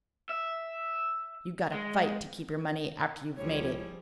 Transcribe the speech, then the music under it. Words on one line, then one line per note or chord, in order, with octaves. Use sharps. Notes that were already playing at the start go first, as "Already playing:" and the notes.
You got to FIGHT to keep your money after you've made it.
E5
G#3
C#2 A2 F3 G3 G#4 C#5